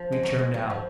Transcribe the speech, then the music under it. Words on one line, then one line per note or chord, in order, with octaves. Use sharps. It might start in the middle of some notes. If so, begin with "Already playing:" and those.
We turned out.
Already playing: F3
G#3
F#3
G#3
F#3
F3